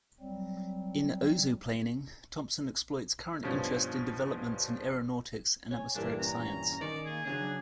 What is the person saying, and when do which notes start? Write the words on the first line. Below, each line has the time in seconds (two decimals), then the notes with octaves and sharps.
In "Ozoplaning", Thompson exploits current interest in developments in aeronautics and atmospheric science.
0.20 F#3 G3 C4
3.43 G2 B2 F3 C#4
5.71 C#5 G#5
5.95 G2 A#2 E3 D4 A#4
6.19 C#4 A#5
6.81 D#3 D5
7.05 A#3 G#4
7.25 C#3 E3 F#3 D4 G#4